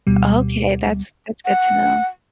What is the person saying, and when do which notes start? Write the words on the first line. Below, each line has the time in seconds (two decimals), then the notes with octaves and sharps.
Okay, that's that's good to know.
0.07 D2 B2 G3
1.45 F#5